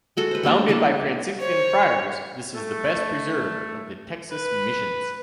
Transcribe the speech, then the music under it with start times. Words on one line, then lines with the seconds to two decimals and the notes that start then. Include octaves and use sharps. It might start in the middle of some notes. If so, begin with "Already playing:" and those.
Founded by Franciscan friars, this is the best preserved of the Texas missions.
0.17 G#3 F#4 A4
0.31 B4 C5
0.43 G3 A#3 D4 A5
0.68 E3 A#3 D4 A5
1.40 C5 C#5
2.55 A3
4.30 B4